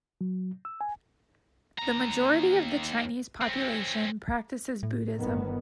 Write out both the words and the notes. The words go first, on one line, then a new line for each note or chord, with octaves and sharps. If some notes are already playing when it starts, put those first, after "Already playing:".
The majority of the Chinese population practises Buddhism.
F#3
E6
G#5
D#2 A#5
C4 C#4
A2
G1 D#3 B3